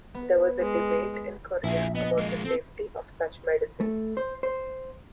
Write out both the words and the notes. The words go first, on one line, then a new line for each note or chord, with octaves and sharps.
There was a debate in Korea about the safety of such medicines.
B3
G#3
A#1 E4 G#4 E5
B3 D#5
G#3 A#3
C4 A4
A3
C5
C5